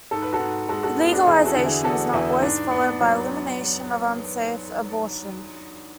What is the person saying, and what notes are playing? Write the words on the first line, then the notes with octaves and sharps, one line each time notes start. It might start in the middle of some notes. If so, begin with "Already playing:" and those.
Legalization is not always followed by elimination of unsafe abortion.
G#2 A4
B4
F#4 A4
G#2
G#3 F#4 A4
F#4 A4
B3
D4 F#4
E2 E4 G#4
F#4 A4
D3
E4 G#4
G#4
E2 F#4 A4
E2 E4
G#2 D4
B3
F#3